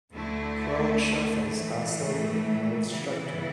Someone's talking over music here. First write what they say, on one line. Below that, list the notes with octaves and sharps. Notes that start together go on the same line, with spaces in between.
Crowd shuffles past opening in old structure.
D2 D3 A3 E4
A2 E3 A3
C#3 E3 G3 B3 E4